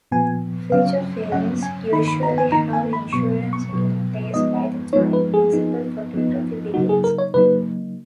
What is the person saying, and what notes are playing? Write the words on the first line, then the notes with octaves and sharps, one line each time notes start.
Feature films usually have insurance in place by the time principal photography begins.
A#2 F3 B3 G#5
C#3 F#3 C#4 F5
C#3 F#3 C#4 F#5
G#5
D#3 A#3 D#4 B5
B5
A#5
G#5
D#3 A#3 D#4 A#5
G#5
B5
B2 F#3 B3 C#6
C#6
B2 F#3 B3
F3 G#3 B3 D#4 D#5
F3 G#3 B3 D#4 C#5
B4
G#4
F3 B3 D#4
F3 B3 D#4
C#3 F#3 A#3 D#4 F#4
G#4
A#4
C#5
C#3 F#3 A#3 D#4 B4